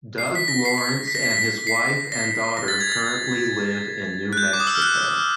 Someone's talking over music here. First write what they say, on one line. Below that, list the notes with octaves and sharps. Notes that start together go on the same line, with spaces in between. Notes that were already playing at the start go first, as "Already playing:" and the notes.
Doug Lawrence and his wife and daughter currently live in New Mexico.
C7
B6
A#6
C7
B6
B6
A#6
B6
A#6
B6
C7
A#6
A#6
A6
G#6
A6
F#6
G6
D6
D#6
E6
F6
F#6